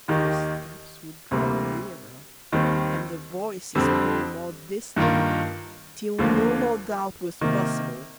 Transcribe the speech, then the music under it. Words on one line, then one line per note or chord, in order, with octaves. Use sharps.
The steps would draw nearer, and the voices grow more distinct, till no more doubt was possible.
D#2 D#3 A#3 D#4 G4
D2 C3 G3 A#3
D#2 D#3 G3 C4
F2 D3 G3 C4
G2 D#3 A#3 F4 A#4
D#2 D3 F3 A#3
C3 D#3 A#3